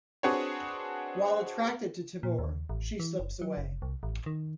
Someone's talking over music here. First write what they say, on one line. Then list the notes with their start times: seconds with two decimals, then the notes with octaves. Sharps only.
While attracted to Tibor, she slips away.
0.23 C4 D4 F#4 G#4 B4 C#5
2.23 A#2
2.39 D#2
2.69 A1
3.00 E3
3.20 F#1
3.42 F#3
3.57 F#1
3.82 C2
4.03 A1
4.26 D#3